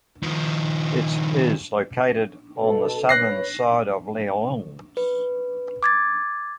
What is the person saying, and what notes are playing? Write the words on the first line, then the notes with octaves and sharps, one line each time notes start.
It is located on the southern side of Lyons.
D#3 F3
B2 A4
B4 C#5 F#6 A#6 C7
B4
D6 G#6 A6